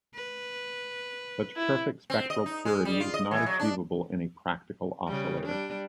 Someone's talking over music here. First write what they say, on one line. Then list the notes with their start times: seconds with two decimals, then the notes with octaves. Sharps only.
Such perfect spectral purity is not achievable in a practical oscillator.
0.14 B4
1.56 E4
2.10 C4
2.30 D#5
2.46 D#4
2.65 G#3
2.85 G3
3.00 F4
3.14 D#5
3.31 E3
3.46 F#3
3.60 D4
5.07 C#3 G3
5.45 G3 D4